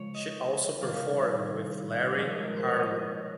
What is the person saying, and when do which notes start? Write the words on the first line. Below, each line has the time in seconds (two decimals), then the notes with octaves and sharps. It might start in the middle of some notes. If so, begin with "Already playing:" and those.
She also performed with Larry Harlow.
Already playing: C#3 F3 G#3 C#5
0.15 D#5
0.81 C3 D#3 G3 A#3 F5
2.14 A#2 F3 G#3 D#5
2.22 C#5
2.30 D#5
2.43 A#4
2.56 C5
2.67 C#5
2.80 D#5